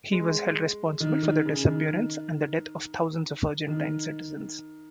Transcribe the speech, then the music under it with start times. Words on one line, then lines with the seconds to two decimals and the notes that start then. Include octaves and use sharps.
He was held responsible for the disappearance and the death of thousands of Argentine citizens.
0.12 G#3
1.00 D#3
1.23 D#3
1.45 C#3
1.67 D#3
3.68 D#3